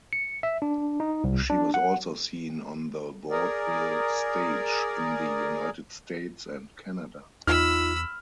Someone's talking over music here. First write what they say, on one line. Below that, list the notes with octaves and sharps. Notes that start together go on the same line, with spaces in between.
She was also seen on the vaudeville stage in the United States and Canada.
C#7
E5
D4
D#4
C2
D4
F#5
G#4 A#4 D5
E2 D#4 F4 B5 E6 F6